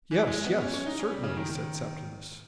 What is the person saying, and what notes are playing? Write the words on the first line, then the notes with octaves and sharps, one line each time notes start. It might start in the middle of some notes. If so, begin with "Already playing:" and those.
"Yes, yes, certainly," said Septimus.
E3
G#3
B3
C#4
C#4
D#4
C#4
G3
C#3
D#3
D#3